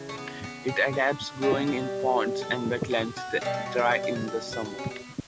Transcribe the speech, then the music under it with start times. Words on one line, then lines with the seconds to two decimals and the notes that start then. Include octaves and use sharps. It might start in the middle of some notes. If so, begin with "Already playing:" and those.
It adapts growing in ponds and wetlands, that dry in the summer.
Already playing: C#3 E3
0.09 A3
0.18 B3
0.44 B3
0.68 C#4
0.93 D4
1.42 B2 G3 E4
1.67 G4
2.41 A4
2.92 G4
3.17 F#4
3.41 B2 A4
3.45 G3
3.54 A4
3.66 F#4
3.78 A4
3.91 B4
4.03 D5
4.16 C#5
4.28 A4
4.52 B4
4.65 B4
4.78 C#4
4.91 B3